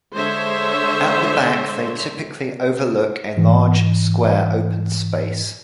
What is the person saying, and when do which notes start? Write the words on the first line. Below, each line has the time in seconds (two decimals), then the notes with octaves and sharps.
At the back they typically overlook a large square open space.
0.13 D3 G#3 C5 C#5 E5
3.37 G#2 E3